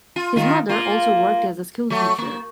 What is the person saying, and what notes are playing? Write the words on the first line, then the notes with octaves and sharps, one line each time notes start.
His mother also worked as a schoolteacher.
F4
D#3 F4
A#3 F4
F#3 A3
A#3